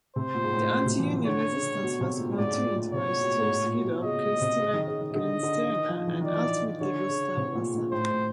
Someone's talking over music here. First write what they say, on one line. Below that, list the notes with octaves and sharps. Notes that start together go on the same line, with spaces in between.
The anti-union resistance was continued by Sture's widow Christina Gyllenstierna and ultimately Gustav Vasa.
C3 C5
A#2
G#2
A2
A2
B2
C3
E3
E3
D3 C#5
C#3
B2
C3
A#2
A2
G#2 D5
A2
A#2
C3 C#5
B2
G#2
A2
A#2
B2
C#3 D#5
C3
C#3
D#3
C#3
D#3
C#3
D3 D#5
D3
D#3
F3
E3
D#3 D5
E3
D3 C#5
C#3
C3
A#2
A#2
A2 C5
A2